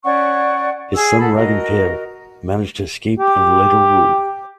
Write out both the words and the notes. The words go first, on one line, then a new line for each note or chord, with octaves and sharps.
His son Raginpert managed to escape and would later rule.
C#4 D5 F#5 C#6
G#4 E6
A4 F#5 B5
F#4 A#4 D#5
G4